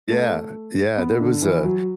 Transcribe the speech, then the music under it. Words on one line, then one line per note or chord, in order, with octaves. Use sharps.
Yeah, yeah, there was a
A3
B3
D3
E3
F#3